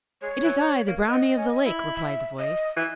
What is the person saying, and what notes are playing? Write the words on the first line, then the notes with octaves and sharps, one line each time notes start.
'It is I, the brownie of the lake,' replied the voice.
G#3 C#5
E3
A#3
B3 D#5
C#4
E4
E5
D#5
E3